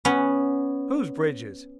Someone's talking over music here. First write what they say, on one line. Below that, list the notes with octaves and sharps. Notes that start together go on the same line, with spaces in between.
Whose bridges?
B3 C#4